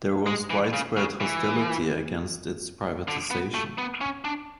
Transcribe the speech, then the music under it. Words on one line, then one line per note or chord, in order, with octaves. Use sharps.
There was widespread hostility against its privatisation.
G#3
E3
C#3
C#3
E3
D3
B3
A3
B3
C#4
D4